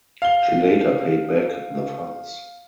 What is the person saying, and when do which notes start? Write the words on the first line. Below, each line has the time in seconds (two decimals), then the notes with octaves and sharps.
She later paid back the funds.
0.22 F5 G7